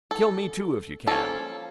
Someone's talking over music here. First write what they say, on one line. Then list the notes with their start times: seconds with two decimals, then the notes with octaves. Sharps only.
Kill me too, if you can.
0.11 A4
1.07 F3 A#3 C#4 A4